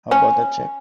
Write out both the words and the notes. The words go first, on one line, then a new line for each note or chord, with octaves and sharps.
How about that check?
C#4